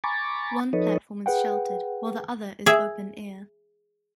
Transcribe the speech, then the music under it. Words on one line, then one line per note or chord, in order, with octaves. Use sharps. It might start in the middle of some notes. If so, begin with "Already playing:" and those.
One platform is sheltered while the other is open air.
G#5 A#5 B5 C#6 D6 A6
F3 D#4 A4 B4 C#5 D#5
G#4 B4 F#5 G5
G#4 E5